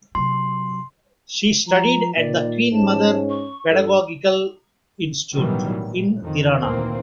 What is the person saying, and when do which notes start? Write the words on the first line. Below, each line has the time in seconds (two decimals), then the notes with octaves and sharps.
She studied at the Queen Mother Pedagogical Institute in Tirana.
0.15 C3 F#3 C6
1.67 F3 A#5
2.17 A#2 D#3 D5
2.72 G#2 C#4 A5
3.29 C#6
3.69 G2 G3 A4
5.34 A1 B2 D#3 E3 F#3 G3
5.84 A#2
6.20 F2 D#3
6.60 D2 A#2 D#3 E3 A#3 C4